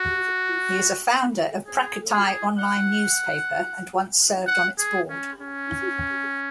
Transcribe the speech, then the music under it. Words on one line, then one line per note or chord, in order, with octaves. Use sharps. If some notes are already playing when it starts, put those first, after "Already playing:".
He is a founder of "Prachatai" online newspaper and once served on its board.
Already playing: F#4
G#4
G#4
F#5
F#5
G#4
C#4
C#4